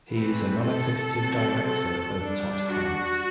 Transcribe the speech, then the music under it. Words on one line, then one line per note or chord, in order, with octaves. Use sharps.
He is a non-executive Director of Topps Tiles.
E3 A3 C4 B4
A4
F#3 C4
A4
G3 D4
F#4